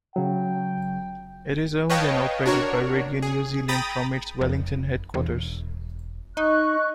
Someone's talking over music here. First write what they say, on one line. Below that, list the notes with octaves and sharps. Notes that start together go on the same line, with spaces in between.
It is owned and operated by Radio New Zealand from its Wellington headquarters.
C#3 F#3 G5
B4 C#5 D#5 F5 G5 A5
D4 F#4 A#4 C#5
G#4
G5 A#5 B5 D#6 A6
F1
E1
D#4 D#5 C#6 F#6